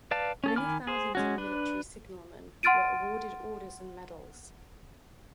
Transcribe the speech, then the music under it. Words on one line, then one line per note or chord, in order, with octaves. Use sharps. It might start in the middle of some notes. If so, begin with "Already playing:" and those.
Many thousands of military signalmen were awarded orders and medals.
B4 D5 F5 A5
C#4 G#4 A4
D#3 G#5 B5 D6 F6
G#4 C5
G#3 C#4 F#4
D4 B4
F#5 C6 F6 A6 D7 D#7